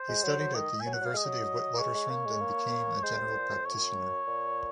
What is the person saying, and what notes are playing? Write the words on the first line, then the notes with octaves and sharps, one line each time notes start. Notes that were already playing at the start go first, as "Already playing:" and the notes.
He studied at the University of the Witwatersrand and became a general practitioner.
Already playing: C5
G#3
F#3
F#3
D#3 D#5
F#3 G#5
F#5
F#3 F5
G#3 D#5
F#3
G#3 C#5
G#3
A#3
G#3
A#3
G#3 C5
C3
A#2
F#2
F2 C#5
F#2
A#2